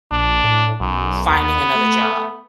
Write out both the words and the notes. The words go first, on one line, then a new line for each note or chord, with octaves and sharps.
finding another job
A#1 D4
A2
B1 F#2
D#2 B3
A3